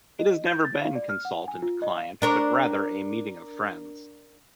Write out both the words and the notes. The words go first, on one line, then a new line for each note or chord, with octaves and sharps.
It has never been consultant-client, but rather a meeting of friends.
D#5
G6
A6
F5
D5
F6
F#5
G#5
F4
D#5
F5
D4 A#4 C#5